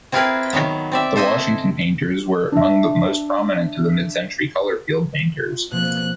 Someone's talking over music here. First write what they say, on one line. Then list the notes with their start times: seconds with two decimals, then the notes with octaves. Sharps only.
The Washington painters were among the most prominent of the mid-century color field painters.
0.12 C4 E4 F4 G#4 A#4 B4
0.53 D#3 F#3 B3
0.92 C4 D5 E5
1.16 A4 C5 D#5 E5 G#5
2.52 D4 E5
5.36 F4
5.71 B2 F3 A#3 C4 F#6